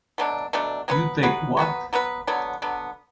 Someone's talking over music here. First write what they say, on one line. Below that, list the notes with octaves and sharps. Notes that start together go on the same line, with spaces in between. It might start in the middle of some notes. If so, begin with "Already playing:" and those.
You take what?
B2 F#3 A3 D4
B2 F#3 A3 D4
F#3 B3 F#4 B4
F#3 B3 F#4 B4
F#3 B3 F#4 B4
F#3 B3 F#4 B4
D3 F#3 B3
D3 F#3 B3